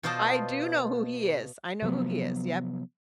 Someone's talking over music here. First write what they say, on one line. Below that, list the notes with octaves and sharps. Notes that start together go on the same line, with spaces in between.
I do know who he is, I know who he is, yep.
B2 F4 C5 D5 D#5 A5
C3 F3 F#3 B3